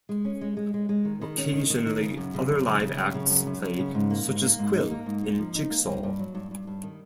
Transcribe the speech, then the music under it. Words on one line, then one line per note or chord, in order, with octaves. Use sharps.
Occasionally other live acts played such as Quill and Jigsaw.
G#3
C#4
G#3
G#3
G#3
G#3
D#3
D#3
C#4
D#3
D#3
D#3
C#3
F#2
C#3
F#2
C#3
C#3
F#2
C#3
F#2
F#2
F#2
C#3
G#2
A#3
G#2
A#3
G#2
D#4
A#3
G#2
D#4
F3
D#4
A#3
G2
G2
F#3
G2
G2
G2
D#3